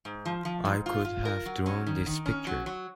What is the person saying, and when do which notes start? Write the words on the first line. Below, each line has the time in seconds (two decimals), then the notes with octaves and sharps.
I could have drawn this picture!
0.05 G#2
0.25 F3
0.45 F3
0.65 G#2
0.86 F4
1.05 F4
1.25 A#4
1.45 F#3
1.66 C#4
1.87 D#3
2.06 D#3
2.26 C#4
2.47 F#3
2.66 F#3